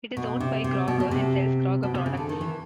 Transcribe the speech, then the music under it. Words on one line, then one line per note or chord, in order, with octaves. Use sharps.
It is owned by Kroger and sells Kroger products.
B2
C3
C3
B2
B2
C3
B2
C3
C#3
D3
D#3
E3